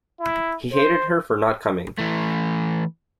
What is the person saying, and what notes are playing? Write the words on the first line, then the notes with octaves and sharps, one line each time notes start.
He hated her for not coming.
E4
C5
E3 A3